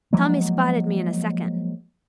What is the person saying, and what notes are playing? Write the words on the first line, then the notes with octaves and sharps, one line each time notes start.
'Tommy spotted me in a second.
F3 F#3 G#3 A#3